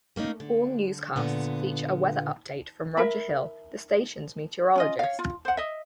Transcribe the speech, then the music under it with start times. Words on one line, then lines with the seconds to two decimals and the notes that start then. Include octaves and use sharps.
All newscasts feature a weather update from Roger Hill, the station's meteorologist.
0.16 A3 A#3 C#4 D#4
0.40 D3
1.16 A#2 D3 B3
2.97 A#4 E5 B5
4.76 C#4 F4 D#5
4.99 C#5 F5
5.19 F4
5.45 C5 F#5
5.57 D#5 E5